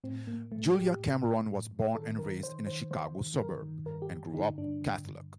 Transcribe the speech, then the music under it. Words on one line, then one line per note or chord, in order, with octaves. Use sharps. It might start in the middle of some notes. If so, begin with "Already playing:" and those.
Julia Cameron was born and raised in a Chicago suburb, and grew up Catholic.
A2 C4
A2 A#3
A2 A3
A2 G4
A2
A2
A2
A2
D#3 A4
D#3 A#4
D#3 C5
D#3 C5
D#3 C5
D#3
G2 A#4
D#3
G2 A#4
G4
G2
D3 D#4
G2 D4
D3
G2